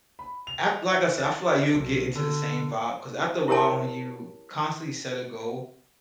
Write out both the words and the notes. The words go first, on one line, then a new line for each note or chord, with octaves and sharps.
ac Like I said, I feel like you'll get into the same vibe, ‘cause after a while, when you constantly set a goal
B5
F7
E5
A6
D5
B1
D3
E4 G4 A#4 C#5 A5